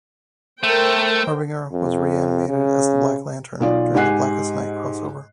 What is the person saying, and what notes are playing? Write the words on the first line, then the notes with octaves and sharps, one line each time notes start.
Harbinger was reanimated as a Black Lantern during the "Blackest Night" crossover.
A3 A#4 C5 G5
F2
C#3
B1 F4 D5
G#2 G4 F#5 G#5 F#6 C7